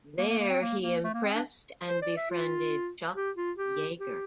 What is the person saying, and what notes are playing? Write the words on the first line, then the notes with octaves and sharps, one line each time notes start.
There he impressed and befriended Chuck Yeager.
A#3
A#3
A#3
C4
A#3
A#3
A3
A#3
C4
D4
C5
D5
E5
F4
G4
F4
G4
G4